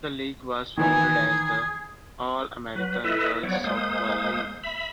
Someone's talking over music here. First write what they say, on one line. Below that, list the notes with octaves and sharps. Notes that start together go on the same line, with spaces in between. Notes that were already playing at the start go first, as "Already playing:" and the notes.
The league was founded as the "All-American Girls Softball League".
D#3 E3 G#4
F#3 B4
E4 A4 B4 D#5 E5
F3 F#3 B3 C#5 D5
G#3 A#3 C5 D#6
E5 B5